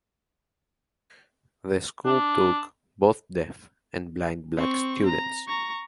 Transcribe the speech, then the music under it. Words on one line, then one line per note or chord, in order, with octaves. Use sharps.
The school took both deaf and blind black students.
D4
C4 C#6
A#5
A#5 C#6